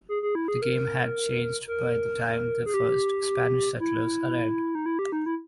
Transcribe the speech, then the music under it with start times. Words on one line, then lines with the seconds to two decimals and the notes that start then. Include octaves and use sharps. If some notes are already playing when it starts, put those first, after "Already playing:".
The game had changed by the time the first Spanish settlers arrived.
0.09 G#4
0.23 G#4
0.35 E4
0.48 G#4
0.62 A#4
1.68 A#4
2.66 G#4
2.74 G4
3.80 E4
4.75 D#4
4.86 E4
4.99 G4
5.12 D#4
5.26 E4